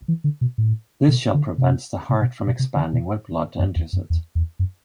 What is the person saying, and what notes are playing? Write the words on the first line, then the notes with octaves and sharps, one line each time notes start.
This shell prevents the heart from expanding when blood enters it.
E3
D3
B2
A2
B2
D3
C3
C3
B2
B2
C3
D3
B2
F#2
E2
F#2
E2
E2
F#2